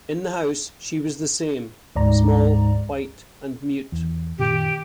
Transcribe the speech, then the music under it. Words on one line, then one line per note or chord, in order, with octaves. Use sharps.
In the house she was the same — small, white, and mute.
D2 G#2 D5 A#5
E2
F#2 A#2 D#3 G4